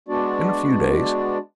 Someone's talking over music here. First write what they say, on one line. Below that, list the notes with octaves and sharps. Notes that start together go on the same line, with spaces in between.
In a few days.
G#3 B3 D4 F#4 D5